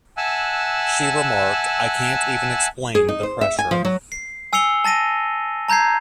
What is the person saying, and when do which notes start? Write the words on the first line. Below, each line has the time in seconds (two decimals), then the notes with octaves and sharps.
She remarked, I can't even explain the pressure.
0.17 E5 F#5 G#5 A5 E6 F#6
2.95 G#4
3.09 D#4
3.23 C5
3.41 E5
3.59 G#5
3.71 F3
3.85 F#3
4.12 C7
4.53 G#5 E6 C7 C#7 F7 G7
4.85 A5 A6 A#6 D#7
5.69 A5 A#5 G6 G#6 C7